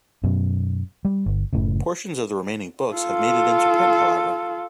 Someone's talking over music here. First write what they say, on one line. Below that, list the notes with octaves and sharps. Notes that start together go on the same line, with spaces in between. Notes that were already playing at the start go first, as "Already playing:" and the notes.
Portions of the remaining books have made it into print, however.
F#2 B2
G3
G1
F#1 A2 C#3
F4 A4